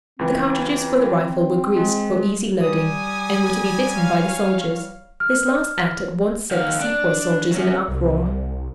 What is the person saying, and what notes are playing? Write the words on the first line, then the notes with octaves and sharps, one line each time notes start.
The cartridges for the rifle were greased, for easy loading, and were to be bitten by the soldiers. This last act at once set the sepoy soldiers in an uproar.
C#2 E3 C4
G#3
G3 G#5 D#6
C#5 F5
F6
D#3 F5
D4
F#3 C#4
C2